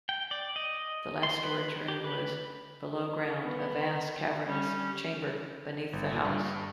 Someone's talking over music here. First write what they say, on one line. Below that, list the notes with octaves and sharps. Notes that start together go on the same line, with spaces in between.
The last storage room was below ground, a vast, cavernous chamber beneath the house.
G5
D5
D#5
C6
B4
G4
B4
B3
G3 C#4
G1
A#2
G2